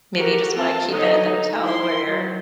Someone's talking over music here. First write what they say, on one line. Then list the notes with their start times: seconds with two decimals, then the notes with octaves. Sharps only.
maybe you just wanna keep it at the hotel where you're
0.19 F#4 G4 A4 A#4
0.57 C4 F4 A5
0.92 D3 F#3 D#4 D#5
1.26 D#4
1.62 E4 C6
2.09 F#3